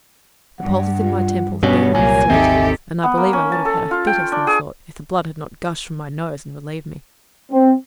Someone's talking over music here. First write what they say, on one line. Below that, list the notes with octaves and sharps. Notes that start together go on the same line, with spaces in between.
The pulses in my temples beat like sledge-hammers, and I believe I would have had a fit of some sort if the blood had not gushed from my nose and relieved me.
G2 F#5
F4
G2 B2 B3 C#4 C#5
C2 A#2 F#3 A#3 G#5
G#1 D#2 C4 D#4 G4 A4 E5
B3
A#3
C#4
A5
A4
F4
G5
D4
G#4
C4